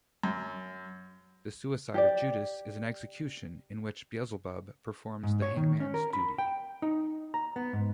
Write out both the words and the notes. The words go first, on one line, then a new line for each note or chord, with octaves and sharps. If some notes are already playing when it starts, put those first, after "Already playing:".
The suicide of Judas is an execution, in which Beelzebub performs the hangman's duty.
F#2
G4 D5
G#2
C#5
D#3
C#4
A#4
B5
G5
D#4
A#5
B3
G#2